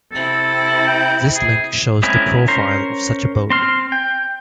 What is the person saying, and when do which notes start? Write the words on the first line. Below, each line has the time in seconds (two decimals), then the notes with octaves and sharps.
This link shows the profile of such a boat.
0.12 C3 E4 A4
0.88 G5
1.35 G#4
2.03 G#3 C4 C#4 E4 A#4
2.48 C#4 A#4 C5 A#5 C6
3.50 C4 C6 F6
3.92 G5